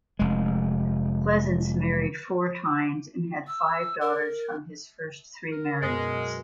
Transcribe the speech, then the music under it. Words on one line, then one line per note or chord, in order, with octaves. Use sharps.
Pleasence married four times and had five daughters from his first three marriages.
F1 G#3
E6
A#4
A#4
F#2 B2 G#3